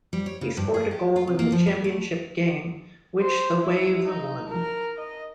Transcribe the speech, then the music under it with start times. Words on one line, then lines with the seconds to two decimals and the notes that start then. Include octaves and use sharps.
He scored a goal in the championship game, which the Wave won.
0.13 G3
0.26 C#5
0.41 C#3
0.57 G2
0.74 G#4
0.91 G4
1.16 F4
1.27 C3
1.39 A#3
1.52 F3
1.66 G3
1.84 A3
3.21 C5
3.63 E4
4.05 D#4
4.49 A#4
4.97 D#5